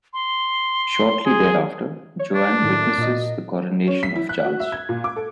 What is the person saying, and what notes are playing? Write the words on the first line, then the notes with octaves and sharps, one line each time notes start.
Shortly thereafter, Joan witnesses the coronation of Charles.
C6
G#4
C#5
D4
A2 D#3
A#2 D#5
C#4
B6
E4
F#6
F#4
E5
G#6
A#2
D6
A4